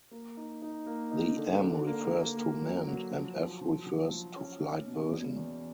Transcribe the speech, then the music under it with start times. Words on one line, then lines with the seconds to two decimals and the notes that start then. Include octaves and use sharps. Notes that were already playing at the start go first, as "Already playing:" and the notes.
The "M" refers to "manned" and "F" refers to "flight" version.
0.11 A#3
0.37 D#4
0.62 D#4
0.86 A#3
1.11 D#4
1.37 D3
1.62 D3
1.87 A#3
2.11 A#3
2.37 A#3
2.62 F#3
2.87 F#3
3.11 F3
3.36 F3
3.61 F3
3.87 F3
4.11 F3
4.36 C#4
4.61 C#4
4.86 B2
5.11 E2
5.36 E2